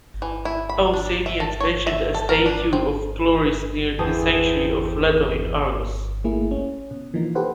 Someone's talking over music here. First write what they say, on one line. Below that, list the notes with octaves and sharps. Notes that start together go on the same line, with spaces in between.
Pausanias mentioned a statue of Chloris near the sanctuary of Leto in Argos.
E3
E4
B5
D4
E5
A4
C#5
E5
A4
A#4
D4
C4
E2 C4 G#4 A5 D#6
A3 A#3 E4 G#4
C#4
B2
E3 F3 A#3 D#4
G4 A4 B4 C5 F#5